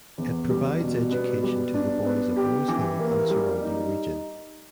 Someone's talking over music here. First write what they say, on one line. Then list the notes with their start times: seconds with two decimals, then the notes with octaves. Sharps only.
It provides education to the boys of Rose Hill and surrounding region.
0.18 E2
0.49 G3
0.80 B2
1.11 B3
1.43 G3
1.74 D4
2.05 B3
2.36 G4
2.68 E3
2.99 A#3
3.30 G3
3.62 D#4